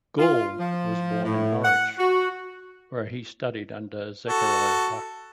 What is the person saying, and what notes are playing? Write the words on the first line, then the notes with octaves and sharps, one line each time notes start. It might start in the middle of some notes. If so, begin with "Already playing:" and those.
Gaul was born in Norwich, where he studied under Zechariah Buck.
F4
F3
A2
F#5
F#4
F#4 A4